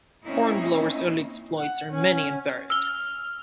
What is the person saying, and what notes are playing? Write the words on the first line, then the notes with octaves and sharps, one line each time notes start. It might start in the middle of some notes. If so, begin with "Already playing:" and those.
Hornblower's early exploits are many and varied.
A#3 C4 C#4 D#4 E4
F#5
C#4
E6 F6 G7